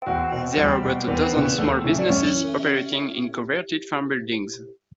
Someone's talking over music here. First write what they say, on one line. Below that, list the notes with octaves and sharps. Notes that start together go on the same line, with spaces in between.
There are about a dozen small businesses operating in converted farm buildings.
E2 F#4
B2
E2 G3 G4
B2
E2 B3 B4
C#3 E3 B3 B4
E2 A3 A4
C#3 E3 E5
D5
F#2 C#4 C#5
E3